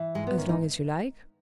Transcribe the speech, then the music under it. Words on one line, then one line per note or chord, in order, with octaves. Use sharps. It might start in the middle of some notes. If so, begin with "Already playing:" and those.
"As long as you like."
Already playing: E3
G#2 G#3
B3
D#3 C#4
D#4